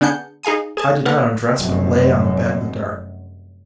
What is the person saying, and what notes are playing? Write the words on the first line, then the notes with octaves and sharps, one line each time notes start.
I did not undress, but lay on the bed in the dark.
D3 B3 D4 G#4 G6 C#7
D#4 G#4 F5 G#5 D#6
G#4 G#5 A5
D3 A#3 A#4 B4 F#5
F1 F#2